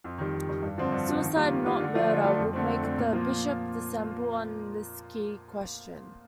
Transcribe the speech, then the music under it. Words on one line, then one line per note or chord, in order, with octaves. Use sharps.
Suicide, not murder, would make the bishop dissemble on this key question.
F2
D#3 G3
F2
D#3 G3
G2
D3 F3 C4
G2
D3 F3 C4
D#3
G3 A#3 F4
D#3
G3 A#3 F4
D3
F3 A3 D4 F4
D3
F3 A3 D4 F4
F2
D3 A3 C4
F2
D3 A3 C4
A#2
F3 A#3 F4